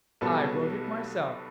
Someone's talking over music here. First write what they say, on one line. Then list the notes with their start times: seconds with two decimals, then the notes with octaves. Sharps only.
"I wrote it myself."
0.21 B1 B2 G3 B3 A4 A5